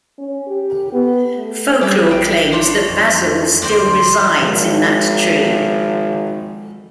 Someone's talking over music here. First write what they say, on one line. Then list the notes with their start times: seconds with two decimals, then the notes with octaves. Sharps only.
Folklore claims that Bazil still resides in that tree.
0.19 C#4
0.48 G4
0.93 B3
1.36 A3
1.81 G3 E5 D6
2.11 A1 G5
2.52 D4 C5 C#5
2.90 F2
3.62 D2 C4 C5 D5
4.43 G#1 F3 G#3